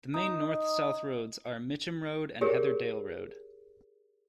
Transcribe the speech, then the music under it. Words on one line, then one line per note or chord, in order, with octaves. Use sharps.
The main north-south roads are Mitcham Road and Heatherdale Road.
D#4
G4 G#4 A#4 C#5